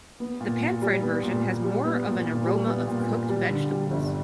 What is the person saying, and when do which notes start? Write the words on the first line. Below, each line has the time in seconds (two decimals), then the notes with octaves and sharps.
The pan-fried version has more of an aroma of cooked vegetables.
0.20 B3
0.41 A#2
0.62 A#2
0.82 G3
1.02 B3
1.23 A#2
1.43 A#2
1.64 G3
1.85 B3
2.05 A#2
2.26 A#2
2.46 G3
2.67 B3
2.88 A#2
3.08 A#2
3.29 G3
3.49 D3
3.70 G3
3.91 G1